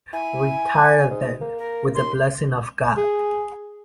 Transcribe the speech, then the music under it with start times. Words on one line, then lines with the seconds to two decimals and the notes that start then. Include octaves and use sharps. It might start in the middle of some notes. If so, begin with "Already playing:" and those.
Retire then, with the blessing of God.
0.13 E4 G#5
1.10 G#2
1.41 A#3
1.58 A#4
1.95 D#2 C6
2.97 G#4